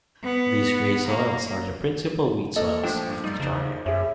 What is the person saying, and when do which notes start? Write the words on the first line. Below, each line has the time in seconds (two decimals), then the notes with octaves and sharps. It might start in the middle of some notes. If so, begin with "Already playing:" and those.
These grey soils are the principal wheat soils of Victoria.
0.23 B3
1.07 A#3
2.56 A#3 A4 D#5
2.83 A#2 F3 A3 D4 G5
3.24 G3 D#4
3.40 C#3
3.86 F#2 G#4 C#5 E5